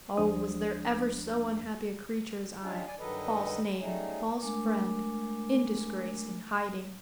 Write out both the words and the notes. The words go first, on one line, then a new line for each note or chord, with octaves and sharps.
Oh, was there ever so unhappy a creature as I? False name, false friend, in disgrace, in hiding!
D2 F3 G#3 D4 C5 D#6
G3 G#3 C#4 D4 F4 G#4
D5 G#5
G2 D#3 F#3 A4 B4 D#5
F#3 G3 A3 C#4 D#4 G#4
G#3 A3 D4 A#4 G#5 D6